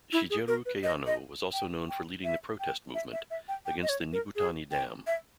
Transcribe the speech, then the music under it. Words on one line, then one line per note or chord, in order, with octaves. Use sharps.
Shigeru Kayano was also known for leading the protest movement against the Nibutani Dam.
E4
G#4
A#4
B4
D#5
D#5
G5
G5
E5
G5
E5
E5
E5
G5
G5
D#5
C#5
A#4
G#4
G5
E5